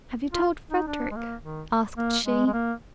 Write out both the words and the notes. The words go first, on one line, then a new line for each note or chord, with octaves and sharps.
'Have you told Frederick?' asked she.
F4
D#4
D4
G#3
A#3
D#3
A#3
G#3
G#3
A#3